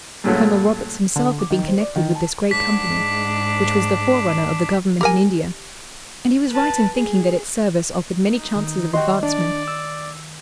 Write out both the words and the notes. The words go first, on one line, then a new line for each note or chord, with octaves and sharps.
Colonel Roberts himself had been connected with this great company, which was the forerunner of the Government in India--and he was right in thinking that its service offered many chances of advancement.
G2 A#2 C#3 F#3 A3
D3
D6
D#3
C5
D5
D#3
A5
G#2 D4 B6
G4 A#4 G#5
B4 A5
G#4
D#4
D#3
F#4 D#5 G5 C6
D4 D5
E6